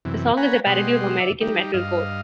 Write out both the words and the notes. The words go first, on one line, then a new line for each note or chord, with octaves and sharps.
The song is a parody of American metalcore.
F#2 C3 E3
C#5 F#5 G#5 A#5 B5
B2 G#3 G4 D#5 F#5 C6
D5 E5
G3 D#4 G4
G2 D#5 F5